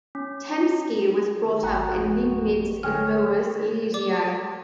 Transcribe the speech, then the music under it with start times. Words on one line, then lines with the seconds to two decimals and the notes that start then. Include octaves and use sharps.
Tempsky was brought up in Liegnitz in Lower Silesia.
0.15 C#4
1.44 D#3
1.63 G#1 F#4 F#5 A#5
1.94 F2
2.47 G3
2.83 D3 F#3 G#3 C#5 G5 G#5 F6
3.94 D5 D6